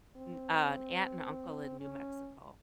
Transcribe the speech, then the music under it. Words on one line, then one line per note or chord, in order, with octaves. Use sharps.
mm an aunt and uncle in New Mexico.
C4
C#4